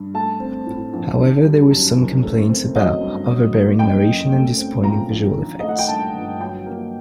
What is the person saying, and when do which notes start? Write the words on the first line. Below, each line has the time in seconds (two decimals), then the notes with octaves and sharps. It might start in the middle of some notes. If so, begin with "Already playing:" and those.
However, there were some complaints about overbearing narration and disappointing visual effects.
Already playing: G2
0.14 A3 A5
0.40 C4
0.66 A2
0.93 A#1
1.18 D#3
1.44 G3
1.71 F#2
1.97 F#1
2.23 A3
2.49 C4
2.75 F#3 D#5
3.01 G2
3.27 F#3
3.54 A#3
3.79 F#2 G5
4.06 F#1
4.32 A3
4.57 C4
4.84 A#2 A#5
5.10 A#1
5.36 D#3
5.59 A3 D#5
5.69 F#5
5.78 G5
5.88 G2 A5
6.15 G1
6.41 F#3 G5
6.66 A#3